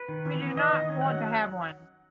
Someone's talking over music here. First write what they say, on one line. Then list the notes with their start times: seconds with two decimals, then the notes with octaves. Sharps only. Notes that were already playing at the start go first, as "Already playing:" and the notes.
We do not want to have one.
Already playing: B4
0.08 D#3
0.25 E3
0.42 B3
0.57 D#3 D#5
0.73 D#3
0.89 C#4
1.01 F#5
1.06 F#3
1.12 F#5